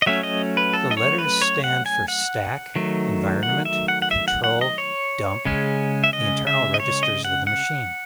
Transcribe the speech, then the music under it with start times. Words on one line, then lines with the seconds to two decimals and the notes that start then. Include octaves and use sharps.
The letters stand for Stack, Environment, Control, Dump, the internal registers of the machine.
0.02 D#5
0.06 F#3 A3 C#4 E5
0.23 D#5
0.57 B4
0.74 A4
0.91 D#5
0.97 C#5
1.19 B4
1.42 C#5
1.64 F#5
1.86 G#5
2.08 F#5
2.76 D#3 F#3 A3
3.43 F#5
3.65 E5
3.88 F#5
4.02 F#5
4.11 E5
4.28 F#5
4.44 F#5
4.61 D#5
4.78 C#5
5.45 C#3 G#3 C#4
6.04 E5
6.13 D#5
6.47 E5
6.74 D#5
6.80 C#5
7.03 D#5
7.25 F#5
7.47 F#5